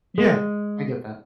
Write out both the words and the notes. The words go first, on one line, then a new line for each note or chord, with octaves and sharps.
Yeah. I get that.
G#3